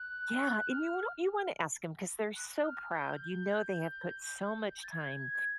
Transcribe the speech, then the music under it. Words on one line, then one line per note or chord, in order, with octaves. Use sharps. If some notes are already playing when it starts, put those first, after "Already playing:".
yeah, and you wan you wanna ask 'em, 'cause they're so proud, you know they have put so much time
Already playing: F#6
F6
F#6
F6
G6
G6
A6
G#6
G6
G#6